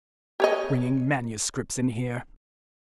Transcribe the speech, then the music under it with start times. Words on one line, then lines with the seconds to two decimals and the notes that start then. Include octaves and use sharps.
Bringing manuscripts in here!
0.40 G4 C#5 D#5